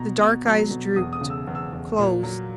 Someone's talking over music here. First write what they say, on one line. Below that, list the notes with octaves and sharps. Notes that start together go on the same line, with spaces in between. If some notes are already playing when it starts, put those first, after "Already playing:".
The dark eyes drooped--closed.
Already playing: B2 A#5
B2
F#3
B2
E2 D#6
D#6
C#3
E6
E2
E6
E2
A#2
F#3